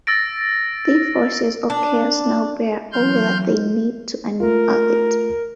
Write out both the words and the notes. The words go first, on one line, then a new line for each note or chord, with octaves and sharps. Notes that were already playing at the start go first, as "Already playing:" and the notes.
The forces of Chaos now bear all that they need to unearth it.
E6 A6 A#6 D7
D4
E3 F#3 C6 F6 G6
A3 F4 A#4